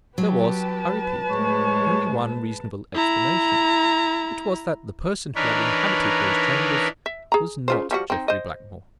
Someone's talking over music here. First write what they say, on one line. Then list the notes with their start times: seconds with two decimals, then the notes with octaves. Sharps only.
There was, I repeat, only one reasonable explanation; which was that the person who had inhabited those chambers was not Jeffrey Blackmore.
0.18 F#3 G4 B4 A5
1.31 A2 G#3 C5 C#5
2.95 E4 A#5
5.36 E3 D4 D#4 A#4 B4 C#5
7.06 E5
7.32 G#4 A#5
7.68 C#3 F4 C5
7.91 F3 G3 F#4
8.10 C4 D#4
8.28 C5 D#5